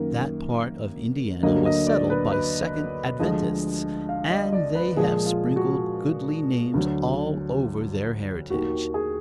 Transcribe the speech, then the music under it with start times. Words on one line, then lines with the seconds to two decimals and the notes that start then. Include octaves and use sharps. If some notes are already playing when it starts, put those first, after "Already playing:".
That part of Indiana was settled by Second Adventists, and they have sprinkled goodly names all over their heritage.
Already playing: F#2 D#3 A#3
1.43 D2 D3 F#3 A#3 D#5
1.65 D#5
1.87 D5
2.10 B4
2.32 B4
3.20 D2 D3 F3 G#3 D#5
4.09 F5
4.31 D#5
4.53 D5
4.75 B4
4.96 A#2 F3 G#3 G#4
5.26 F4
5.56 F#4
6.74 D2 D3 F#3
8.50 D#2 D#3 A#3 F#4
8.94 G#4